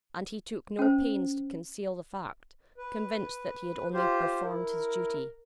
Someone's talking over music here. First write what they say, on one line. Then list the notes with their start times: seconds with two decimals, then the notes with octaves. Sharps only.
And he took no pains to conceal the fact; convinced that he had only performed his duty.
0.79 C#4 C5
2.78 B4
3.94 F4 G4 C5
4.44 E4 A#4